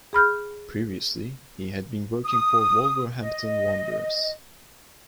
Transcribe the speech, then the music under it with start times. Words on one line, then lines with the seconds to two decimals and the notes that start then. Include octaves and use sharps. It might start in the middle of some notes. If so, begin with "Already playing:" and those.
Previously he had been working for Wolverhampton Wanderers.
0.13 G#4 B5 F6 G6
2.24 D#6
3.21 D#5